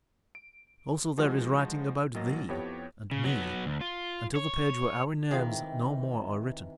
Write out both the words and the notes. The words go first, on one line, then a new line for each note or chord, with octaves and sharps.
Also there is writing about thee and me until the page where our names no more are written.
D7
F3 G#3 D#4 F#4
A1 F#3 A#3 D#5 A6 A#6
F2 B3 E4 G4 C#5
C#3
F#3 B3
D2
F4
C#5
C3 D#3 E3 G#3 F4